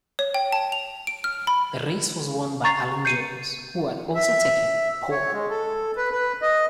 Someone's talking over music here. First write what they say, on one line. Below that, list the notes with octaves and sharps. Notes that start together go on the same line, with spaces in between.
The race was won by Alan Jones, who had also taken pole.
C#5
G5
A5
F7
D7
F6
B5
A#5 C#6 A6 C7 F7
G6 C7 C#7 D#7
E5
C#5
G#3
A4
B4
B4
D#5